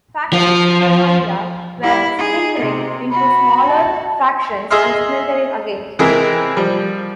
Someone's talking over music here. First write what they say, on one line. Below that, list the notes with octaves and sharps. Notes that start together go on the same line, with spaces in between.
Factions in Somalia were splintering into smaller factions and splintering again.
F3
G3 E4
D#4 G#4
C3
F#4 B5
A5
G#4 D#5 E5 C6 F6
C3 E3 G#3 E4 G#4 A#4
F3 G3